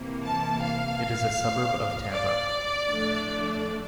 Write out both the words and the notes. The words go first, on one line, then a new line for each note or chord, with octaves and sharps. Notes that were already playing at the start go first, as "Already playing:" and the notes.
It is a suburb of Tampa.
Already playing: C3 E3 A#3
A5
F5
D5
A2 F3 A3 D4